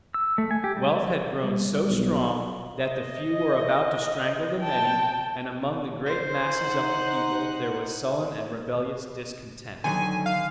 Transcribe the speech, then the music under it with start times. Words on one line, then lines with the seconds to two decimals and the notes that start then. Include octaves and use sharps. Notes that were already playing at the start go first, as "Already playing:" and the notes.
Wealth had grown so strong, that the few were about to strangle the many, and among the great masses of the people, there was sullen and rebellious discontent.
0.14 E6
0.38 A3
0.51 G#5
0.64 G4
0.76 G3
1.43 G3
1.89 B1
2.82 D#5
4.61 G5 A5
6.07 C5
6.47 D#4 F#5
9.84 D3 D#3 F#3 G#5
10.26 F5